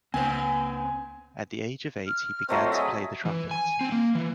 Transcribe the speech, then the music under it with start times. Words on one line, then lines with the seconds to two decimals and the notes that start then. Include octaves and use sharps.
At the age of eight, he began to play the trumpet.
0.14 C#2 C4 B4 C5 G#5
2.07 F6
2.49 F#3 A3 C4 F4 C5 D#5
2.72 G#4 D#5 E5 G#5
3.25 E3
3.51 G#5
3.81 C4
3.92 A#3
4.15 E3